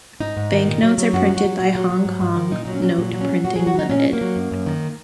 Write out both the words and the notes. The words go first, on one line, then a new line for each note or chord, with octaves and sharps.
Banknotes are printed by Hong Kong Note Printing Limited.
G#2 D#4
G#2
D#3
A#2
F#3
F#3
F#2 F#4
F#3
F#4
F#3
A#2
F#3
F#3
G#2
G#2
D#3
A#2 D#4
F#3 D#4
C#4
F#3
A#2
F#3
C#4
F#3
A#2 F#4
G#4
F#3
F#4
F#3 D#4
A#2 C#4
F#3
A#3
F#3
F#2
F#2
D#3